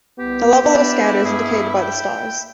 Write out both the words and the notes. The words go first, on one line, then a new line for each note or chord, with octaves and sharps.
The level of a Scouter is indicated by the stars.
C2 B3 G4
D4 E4
G2 G#4
G5